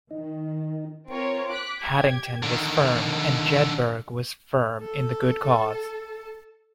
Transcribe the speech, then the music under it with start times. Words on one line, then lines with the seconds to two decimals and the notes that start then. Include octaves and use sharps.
Haddington was firm and Jedburgh was firm in the good cause.
0.11 D#3 D#4
1.08 C4 F4 A#4 C#5
1.48 D6 F#6 B6
1.81 G4 G#6
2.43 D3 D#3
4.81 A4 A5